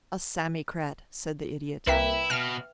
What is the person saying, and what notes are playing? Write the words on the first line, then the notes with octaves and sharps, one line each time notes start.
"A Sammycrat," said the Idiot.
C2 A#3 E4 B4 E5 G5 B6
B2 F6